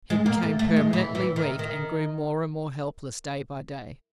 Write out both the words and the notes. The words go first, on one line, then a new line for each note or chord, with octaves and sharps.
He became permanently weak and grew more and more helpless day by day.
G#3
A#3
A3
A3
G#3
E3
E3
D#3
D#3